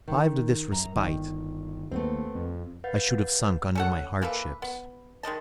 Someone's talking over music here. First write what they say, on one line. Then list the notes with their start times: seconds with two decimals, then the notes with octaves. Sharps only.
Deprived of this respite, I should have sunk under my hardships.
0.08 D#3
0.72 F#2 A#5
0.96 G1 D#3
1.91 D#2 A3 B3 C4
2.35 F2
2.84 B4 F5 F#5 G6 A6
3.75 C#4 A4 F#5
4.22 E3 A#3 A4 B4
4.62 B3
5.23 D#3 G#3 D#5 A5